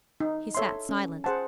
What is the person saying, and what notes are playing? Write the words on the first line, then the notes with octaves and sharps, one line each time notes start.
He sat silent.
D#4
A4 C#5 E5 C6
C#4
G#4 C5 F#5 A5